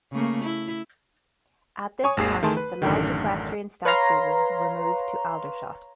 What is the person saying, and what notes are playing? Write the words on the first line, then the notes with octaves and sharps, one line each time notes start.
At this time, the large equestrian statue was removed to Aldershot.
C#3 A3 A#3
E4
C#5 G#5 C#6 D#6
G#1 D#2 G#4 C7
D#3 A3 G#4 A5 C6
B4
A1 F#2 D3 D#3
B4 C#5 F5 A#5 C6